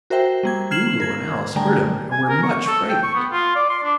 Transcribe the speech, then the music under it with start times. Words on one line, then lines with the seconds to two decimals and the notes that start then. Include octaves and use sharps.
Lulu and Alice heard him, and were much frightened.
0.10 F#4 A#4 C5 E5 G5
0.43 G3 A#3 G#6
0.71 F6 G#6 C7 E7 F#7
1.00 A#4 G#6
1.56 D3 G3 A3 G5 G#5 A#5
2.11 G#5
2.29 A#4
2.43 C#6
2.68 A4
2.89 G5
3.03 C#6
3.15 B3
3.32 F4
3.56 D5
3.70 C6
3.83 D4